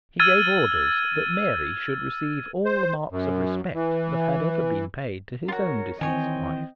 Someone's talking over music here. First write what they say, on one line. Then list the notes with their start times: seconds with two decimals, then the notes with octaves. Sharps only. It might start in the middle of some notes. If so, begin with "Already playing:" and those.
He gave orders that Mary should receive all the marks of respect that had ever been paid to his own deceased wife.
0.19 E6 F6 G#6 A6 D#7
2.65 C5
3.11 F#2
3.74 E3
5.48 F4 F#4 A#4 C#5
6.01 D#3 E3 C4 C#5 D#5 G5 G#5